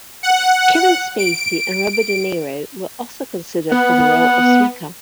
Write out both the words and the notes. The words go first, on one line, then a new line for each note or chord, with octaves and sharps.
Kevin Spacey and Robert De Niro were also considered for the role of Smecker.
F#5
D7
B3 F#5